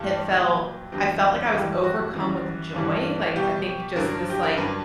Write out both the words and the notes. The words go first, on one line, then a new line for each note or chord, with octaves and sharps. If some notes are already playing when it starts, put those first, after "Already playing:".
it felt I felt like I was overcome with joy, like, I think just this, like
Already playing: G2 E3 G3 G4
A#2 F#3
E2 D3 F#3 G4
G2 E3 G3 G4
F#4
F#2 E3 G3
G2 E3 G3
B2 G3 G4
G2 D3 F#3 A#4
G4
A#4
G2 D3 F#3 B4